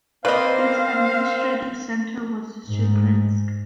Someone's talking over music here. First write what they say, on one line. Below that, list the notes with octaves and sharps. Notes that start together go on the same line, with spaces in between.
Its administrative centre was Shadrinsk.
A#3 C4 B4 C5 D5 D#5 F5
G#2